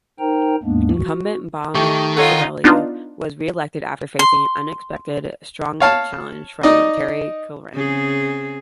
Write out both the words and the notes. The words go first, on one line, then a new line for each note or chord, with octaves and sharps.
Incumbent Bob Chiarelli was reelected after facing an unexpectedly strong challenge from Terry Kilrea.
D#4 A#4 C5 G5 A#5
D#2 G#2 G#3 A#3 B3 D4
F#4
D#3 A3 D#4 G4 C#6
D#4 F4 A4 C#5 F#5
B3 D4 D#4 F4
C6
C#5 F5 A5
D#4 D5 D#5
C#3 C4 G#4